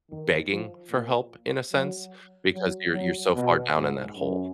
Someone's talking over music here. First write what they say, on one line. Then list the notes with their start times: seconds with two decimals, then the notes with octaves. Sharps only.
begging for help, in a sense." Because you're you're so far down in that hole.
0.10 D#3
0.50 F3
0.90 A#2
1.73 F#3
2.54 F#3
2.94 F#3
3.35 B2
3.76 G#2
4.17 F#2